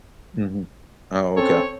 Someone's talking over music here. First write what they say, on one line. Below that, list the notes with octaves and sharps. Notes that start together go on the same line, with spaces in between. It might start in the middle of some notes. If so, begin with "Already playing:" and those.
Mhm. Oh, okay.
C4 C#4 A4 C#5